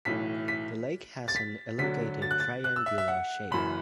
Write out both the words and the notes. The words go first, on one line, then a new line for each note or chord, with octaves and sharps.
The lake has an elongated triangular shape.
B1 A2 E3 B6
B6
A6
B6
D2 D3 F#3 B6
A6
F#6
A6
F#6
E6
E5
E5
F#5
F#1 F#2 E3 B5